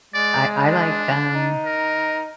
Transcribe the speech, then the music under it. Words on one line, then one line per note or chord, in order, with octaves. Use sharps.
I I like, um
G#3 D5
D4
D#4
A#4